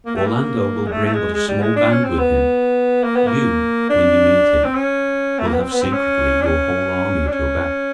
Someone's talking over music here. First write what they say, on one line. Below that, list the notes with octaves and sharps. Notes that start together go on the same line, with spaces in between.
Orlando will bring but a small band with him: you, when you meet him, will have secretly your whole army at your back.
A#3
A3
A#3
G#3
A3
A3
G#3
G#3
G3
G#3
D4
C#4
C4
B3
A#3
B3
A#3
D4
C4
C#4
A3
A#3
B3
C4
B3
C4
C#4
D4
C#4
D4
C#4